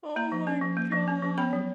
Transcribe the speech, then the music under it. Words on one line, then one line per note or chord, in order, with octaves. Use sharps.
Oh, my god.
A#3 A#5
F3
C#4
F3
A#3
F3
C#4
F3
B3 B5
F#3